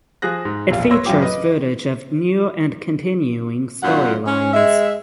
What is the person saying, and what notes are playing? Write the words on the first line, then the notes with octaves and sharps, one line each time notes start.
It features footage of new and continuing storylines.
F3 G#4 F#6 A#6
G#2
E1 A#1 F4
B4 C#5 C6 E6 A#6
A1 F#2 F#3 F4 G5 D6
B4 D#5
F#2 A#2 A#3 F4 F#5
C#4
G#3 E5